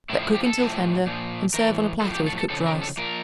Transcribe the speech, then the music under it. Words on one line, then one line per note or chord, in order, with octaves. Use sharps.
Let cook until tender and serve on a platter with cooked rice.
A2 F3 E4
E4
G4
A4
A2 F3
A#2 F3
A2 E3 A#4
A2 F3 A4
G4
A4
A4
C#3 F3 A4
A#4
A4
A#2 F3 A#4